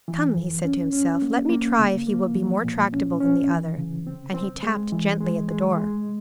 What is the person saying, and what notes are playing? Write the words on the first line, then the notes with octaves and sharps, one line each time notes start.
"Come," he said to himself, "let me try if he will be more tractable than the other;" and he tapped gently at the door.
E3
F2
C#4
C#4
A#3
A#3
C#3
A#3
F3
A#2
C#4
C#4
E3
C#3
C4
C4
G#3
E3
G#3
G#3
G#3